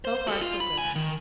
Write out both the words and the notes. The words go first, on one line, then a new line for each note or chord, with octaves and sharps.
So far, so good.
C5
F#4 A4
F4
B5
C#2 G#5
D#3